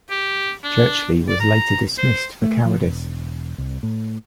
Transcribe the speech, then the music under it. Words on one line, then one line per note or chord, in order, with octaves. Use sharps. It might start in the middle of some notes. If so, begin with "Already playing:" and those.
Churchley was later dismissed for cowardice.
G4
D4
D5
A#5
C5
A3
F3
E1
C2
A2